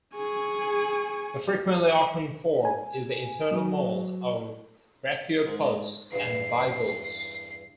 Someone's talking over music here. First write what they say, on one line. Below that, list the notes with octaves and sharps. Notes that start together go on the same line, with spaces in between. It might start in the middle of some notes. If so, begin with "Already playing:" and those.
A frequently occurring form is the internal mold of brachiopods and bivalves.
G#4 G#5 C#6
G#5
F#3
G#2 G#3
E2 G2 E3 C7